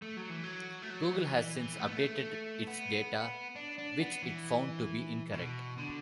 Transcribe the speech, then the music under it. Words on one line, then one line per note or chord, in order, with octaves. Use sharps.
Google has since updated its data which it found to be incorrect.
A3
F#3
E3
F#3
A3
F#3
E3
E3
E3
A3
B3
A3
B3
D4
D4
B3
E3
B2
D3